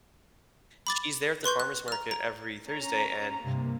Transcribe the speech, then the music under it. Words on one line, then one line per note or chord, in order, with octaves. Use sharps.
She's there at the farmer's market every Thursday, and
B5 D6 A6
B4 C6 C#6 G6
F#6
A#5 F6
A#5
C#4 A#5
G2 C3 A#3